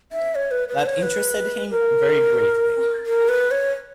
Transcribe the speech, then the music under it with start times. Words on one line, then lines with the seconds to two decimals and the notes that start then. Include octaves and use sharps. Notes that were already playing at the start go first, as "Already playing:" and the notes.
That interested him very greatly.
0.12 E5
0.35 C#5
0.51 B4
0.69 B4
0.86 C#5
1.03 B4
1.71 A#4
3.06 A#4
3.29 B4
3.51 C#5